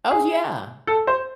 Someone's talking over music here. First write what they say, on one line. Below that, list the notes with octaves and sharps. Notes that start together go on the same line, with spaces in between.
Oh yeah.
G#4
A4
C5